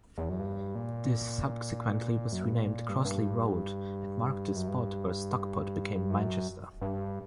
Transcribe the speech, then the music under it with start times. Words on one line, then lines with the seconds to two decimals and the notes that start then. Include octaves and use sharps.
This subsequently was renamed Crossley Road, and marked the spot where Stockport became Manchester.
0.18 E2
0.29 F#2
0.39 G2
0.75 A#2
2.32 F#2
2.43 G2
2.53 A#2
2.89 G2
2.97 A#2
3.05 G2
4.56 F#2
4.68 G2
6.10 F#2
6.81 G2